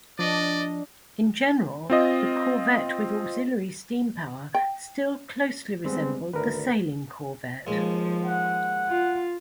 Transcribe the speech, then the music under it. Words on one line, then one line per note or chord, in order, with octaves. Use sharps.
In general the corvette with auxiliary steam power still closely resembled the sailing corvette.
F3 D4 D5 D#5
C4 F4 D#5
G5
G3 G#3 B3 C4
G#1 D2 A#4 B4
D#2 F3 G#3
F#5
F4